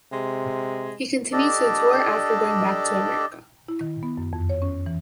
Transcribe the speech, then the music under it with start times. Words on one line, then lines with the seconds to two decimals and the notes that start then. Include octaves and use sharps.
He continued to tour after going back to America.
0.12 C3 G#3
1.33 D4 G4 A4 D5 D#5
3.68 E4
3.81 D#3
4.03 B3
4.17 F#2
4.33 F2
4.50 C#5
4.62 C#4
4.86 E3